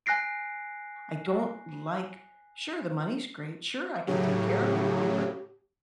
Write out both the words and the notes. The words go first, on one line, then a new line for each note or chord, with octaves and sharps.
I don't like sure, the money's great, sure, I can take care of you, mom, but,
G#5 F#6 A#6 C7 D7
A2 C#3 F#3 G4